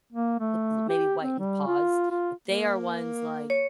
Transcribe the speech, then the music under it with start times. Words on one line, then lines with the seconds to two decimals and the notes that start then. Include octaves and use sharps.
with l maybe whitened paws. But they are ones, like
0.12 A#3
0.40 A3
0.89 G4
1.21 C4
1.39 G3
1.67 F4
2.11 F4
2.48 A#3
3.50 C#5